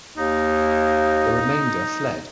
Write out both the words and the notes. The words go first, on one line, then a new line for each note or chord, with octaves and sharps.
The remainder fled.
D#2 D#4